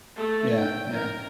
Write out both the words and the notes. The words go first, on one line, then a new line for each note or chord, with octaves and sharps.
Yeah, yeah.
A3
G5
A#4